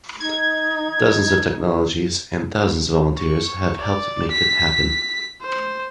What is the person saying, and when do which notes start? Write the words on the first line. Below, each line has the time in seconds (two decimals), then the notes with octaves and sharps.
Dozens of technologists and thousands of volunteers had helped make it happen.
0.20 D#4 G#6
3.18 C#6
3.81 D5
4.32 B6
5.42 C5